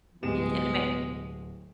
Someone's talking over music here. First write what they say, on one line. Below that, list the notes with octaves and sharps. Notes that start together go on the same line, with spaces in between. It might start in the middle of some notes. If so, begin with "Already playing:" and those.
Mhm, and it may
D1 B2 G#3 G4 E7